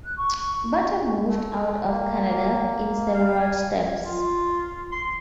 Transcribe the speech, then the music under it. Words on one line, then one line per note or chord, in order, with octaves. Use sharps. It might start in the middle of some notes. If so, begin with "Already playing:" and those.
Bata moved out of Canada in several steps.
F#6
C#6
A3
A#3
F5
G#5
F4
C6